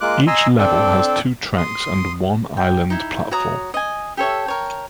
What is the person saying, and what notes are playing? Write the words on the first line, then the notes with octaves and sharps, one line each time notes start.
Each level has two tracks and one island platform.
G#3 A#3 F4 D6 F#6
D#5 G#5 A#5 C6 E6
C4 D4 A4 D5
C6 D#6
G5
D#4 E4
F#4 C#5 A#5 D#6
D#5 G#5
G4 A4 C#5 E5
A#4 C#5 G5